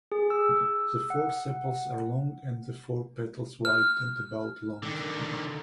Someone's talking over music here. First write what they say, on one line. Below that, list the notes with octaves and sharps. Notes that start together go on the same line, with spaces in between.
The four sepals are long and the four petals white and about long.
G#4
E6
E6
F#5
F6
D3 D#3